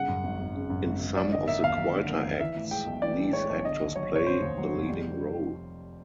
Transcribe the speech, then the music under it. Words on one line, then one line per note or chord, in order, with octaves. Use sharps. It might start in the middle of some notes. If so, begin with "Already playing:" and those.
In some of the quieter acts these actors play the leading role.
Already playing: G1 C#3 F#5
F#2
G#1
G#1
C#3
F#2
G#1
G#1
F#3 D5
D3 D#5
A#3 E5
D#2 F5
F#3
D3
A#3
D#2
E3 E5
A2
G#3 G5
B1
E3 D5
A2
G#3 C#5
B1
D3 D#5
D#2
F#3 C#5
F1 C#5
D3 C5
D#2
F#3
F1
G3